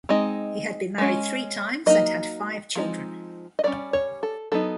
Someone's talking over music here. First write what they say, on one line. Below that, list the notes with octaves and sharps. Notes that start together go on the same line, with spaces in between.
He had been married three times and had five children.
G#3 C4 D#4 D#5
G#3 C#4
F#3 A#3 D#4 D#5
F3 G#3 C4 D#4
D#5
G3 A#3 C#4 D5
C#5
A4
F#3 B3 D#4 A4